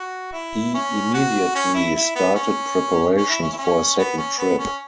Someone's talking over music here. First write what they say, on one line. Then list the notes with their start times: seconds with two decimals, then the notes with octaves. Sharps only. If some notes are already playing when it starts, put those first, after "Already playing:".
He immediately started preparations for a second trip.
Already playing: F#4
0.33 E4
0.74 C#4
1.14 F#4
1.55 C#4
1.74 E4
1.96 E4
2.15 B3
2.35 C#4
3.16 C#4
3.29 E4
3.42 C#4
3.53 E4
3.57 C#4
3.98 B3
4.18 C#4
4.38 B3
4.59 C#4